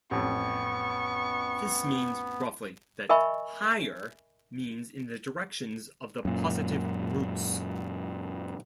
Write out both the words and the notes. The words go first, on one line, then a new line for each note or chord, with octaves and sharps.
This means, roughly, that "higher" means in the directions of the positive roots.
A1 F2 B3 C#6
A#4 D#5 E5 G#5 B5 C#6
F#2 A#2